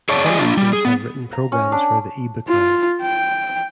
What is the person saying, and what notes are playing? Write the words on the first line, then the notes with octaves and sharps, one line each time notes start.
Some users have written programs for the eBookMan.
G#4 C#5 D5 A5
G4 G#4 D5 D#5 G#5
A#3 D4 F4
G3
G#4
B3
A#5
C#4
D4
F4
G5